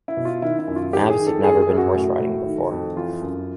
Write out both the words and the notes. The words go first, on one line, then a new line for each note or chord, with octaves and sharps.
Mavis had never been horse riding before.
E4
B2
F4
D#3 E4
E4
F#2
F4
D#3 G4
G#4
D#3
A4
F#2 G#4
G#4
F#2
F#4
A2
A2
D#3
F2
E3 F4
F#2